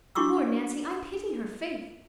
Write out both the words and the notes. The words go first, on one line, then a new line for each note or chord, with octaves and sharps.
Poor Nancy, I pity her, faith!
D4 E4 F#4 C#6 D6 E6